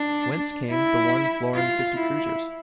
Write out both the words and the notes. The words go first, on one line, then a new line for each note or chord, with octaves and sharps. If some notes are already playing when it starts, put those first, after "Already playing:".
Whence came the one florin fifty kreuzers?
Already playing: D4
E4
F4
E4